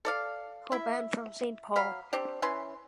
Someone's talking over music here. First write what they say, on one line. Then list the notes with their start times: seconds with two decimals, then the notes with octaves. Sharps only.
Hoban from Saint Paul.
0.05 A4 D5 F5
0.72 E4 E5
1.76 F#3 F5 B5
2.13 C4 D4 G4
2.42 E3 C#4 B4 C6